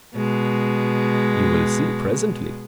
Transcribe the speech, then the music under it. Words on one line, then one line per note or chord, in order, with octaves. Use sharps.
"You will see presently."
B2 G#3